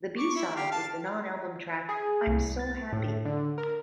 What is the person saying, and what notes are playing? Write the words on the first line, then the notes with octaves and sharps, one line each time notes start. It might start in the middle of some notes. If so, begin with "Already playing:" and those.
The b-side is the non-album track "I'm So Happy".
C#6 D6
E4
G4 F5
F5 A5
G#4
C2
A6
A2
D3
A#4